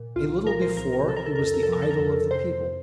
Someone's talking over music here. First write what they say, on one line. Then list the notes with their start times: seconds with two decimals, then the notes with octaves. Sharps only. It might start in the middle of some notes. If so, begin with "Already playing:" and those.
A little before, he was the idol of the people.
Already playing: A#2
0.16 C2 F4
0.47 F3 A#4
0.62 C5
0.77 C2 A#4
0.92 A#4
1.08 C3 A4
1.17 A#4
1.26 A4
1.36 F2 A#4
1.45 A4
1.54 A#4
1.63 A4
1.69 F3 A#4
1.82 A4
1.91 A#4
1.99 F2 A4
2.31 C3 C5
2.52 C5